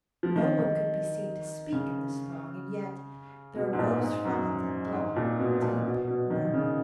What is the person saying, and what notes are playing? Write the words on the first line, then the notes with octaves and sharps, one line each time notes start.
No one could be seen to speak in this throng, and yet there arose from it a dull, deep murmur.
F3
D#3
D#3
C#3
B2
G#2
A#2
G#2
F#2
G#2
A#2
B2
A#2
B2
B2
D#3
C#3